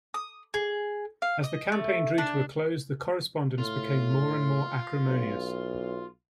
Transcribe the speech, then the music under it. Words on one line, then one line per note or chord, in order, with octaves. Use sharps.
As the campaign drew to a close, the correspondence became more and more acrimonious.
D#6
G#4
F5
D#5
A3
D4
A2 F4
B1